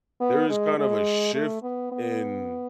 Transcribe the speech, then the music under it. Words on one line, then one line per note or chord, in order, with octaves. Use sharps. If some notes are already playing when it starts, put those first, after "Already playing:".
there is kind of a shift in
B3
G#3
G#3
A3
B3
B3